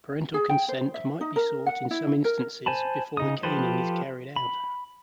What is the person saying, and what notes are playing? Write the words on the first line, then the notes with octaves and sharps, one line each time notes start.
Parental consent might be sought in some instances before the caning is carried out.
G#4
G5
C5
E5
D#4
A#4
F#5
E4
A#4
C5 G#5 A5 B5
C#3 D#4 D#6
F3 G4 A4 B4 C5
B5